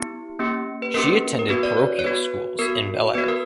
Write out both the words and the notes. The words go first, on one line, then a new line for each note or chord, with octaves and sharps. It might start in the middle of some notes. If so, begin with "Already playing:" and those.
She attended parochial schools in Bel Air.
Already playing: B3 E4 G4
A#3 C#4 G4
B4
A#3 C#4 G4 A#4
A#4
B3 F#4 B4
D5
C#5
C#5
B3 F#4 B4
B3 F#4 A#4
B3 F#4 B4
A#4